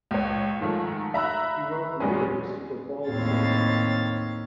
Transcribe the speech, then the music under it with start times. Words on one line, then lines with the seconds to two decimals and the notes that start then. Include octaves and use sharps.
He wrote lyrics for Baul songs.
0.11 C#2 C#5
0.60 G#2 D#3 F3 A3
1.14 E5 A#5 B5 E6 F#6
2.00 E2 G3 G#3 C#4
3.08 D#2 A2 C4 C#5 F5 A6